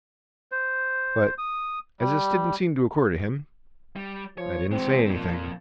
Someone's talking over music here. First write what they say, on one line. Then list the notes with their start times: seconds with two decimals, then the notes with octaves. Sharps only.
But, as this didn't seem to occur to him, I didn't say anything.
0.52 C5
1.38 D#6
2.00 G3
3.96 G3
4.38 F3 C#5
4.71 E3 G#3 C4
5.06 A#2 F3 C4